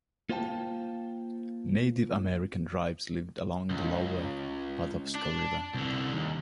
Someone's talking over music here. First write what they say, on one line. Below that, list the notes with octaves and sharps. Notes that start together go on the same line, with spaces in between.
Native American tribes lived along the lower Patapsco river.
A#3 F4 C5 F5 G5 A5
C#2
D4
C2 D3
D#2